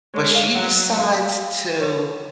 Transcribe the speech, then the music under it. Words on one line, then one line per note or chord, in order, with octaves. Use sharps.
But she decides to
G#3 C#5
F5
F#3 F#5
F5
C#5